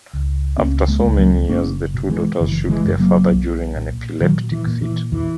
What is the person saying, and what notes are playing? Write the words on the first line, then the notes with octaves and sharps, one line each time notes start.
After so many years the two daughters shoot their father during an epileptic fit.
C#2
C#2 A#3 C#4
G#3 B3
C#2
F#3 A#3
F#1 A#3 C#4
B2
E3 G#3
F#1 E3
E3 G#3
F#1
F#3 A#3
B1
A#2
A#2 D#3 F#3
E3
A#2
E3
E2 E3